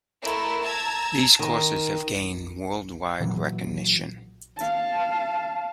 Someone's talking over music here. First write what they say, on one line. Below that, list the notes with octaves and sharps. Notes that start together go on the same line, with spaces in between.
These courses have gained worldwide recognition.
A3 E4 A#4
A5 A#5 E6 G#6
D#3
A#2 E3 F#3
F5 A5